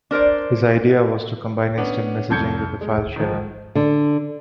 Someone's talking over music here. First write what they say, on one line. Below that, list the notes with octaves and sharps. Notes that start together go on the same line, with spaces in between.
His idea was to combine instant messaging with file sharing.
D4 A#4 C5 D5
B3 C#4 D4
C2 F2 A5 G6 G#6 C#7
G#3
D#3 F3
D3